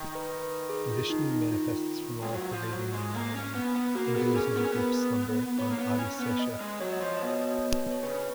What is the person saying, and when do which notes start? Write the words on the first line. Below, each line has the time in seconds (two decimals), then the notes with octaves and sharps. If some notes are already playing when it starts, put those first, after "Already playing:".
Vishnu manifests from all pervading Narayan and goes into deep slumber on Adi Sesha.
Already playing: D#3
0.15 B4
0.43 B4
0.70 G#4
0.90 F4
1.10 D#4
1.31 D#4
1.51 F4
2.22 G#3
2.32 F#3
2.53 F3
2.73 F#3
2.93 G#3
3.15 A#3
3.35 C#4
3.55 B3
3.75 B3
3.95 A#3 F#4
4.08 A#4
4.15 B3 G#4
4.36 C#4 G#4
4.57 B3 A#4
4.65 C#4
4.73 B3 B4
5.59 B3 C#5
5.72 A#3
5.79 B3
5.99 C#4
6.20 B3
6.39 D#5
6.61 G#3
6.80 F#3 C#5
6.93 D#5
7.01 F3 C#5
7.17 B2 D#5
7.30 C#5
7.41 D#5
7.54 C#5
7.91 C#5
8.03 C#3 B4